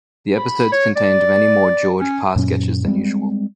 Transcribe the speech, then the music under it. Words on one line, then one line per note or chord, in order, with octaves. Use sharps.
The episodes contained many more George Parr sketches than usual.
B5
C#5
D5
C#4
F#2 A#2 F#3 C#4
G3 G#3 B3 C4